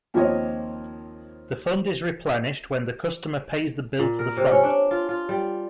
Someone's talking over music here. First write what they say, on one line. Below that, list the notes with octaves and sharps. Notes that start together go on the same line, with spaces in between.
The fund is replenished when the customer pays the bill to the fund.
D#2 F3 A#3 C4 C#5 D#5
A#2
A#4
C3
C#4
D4
F4
F4
G3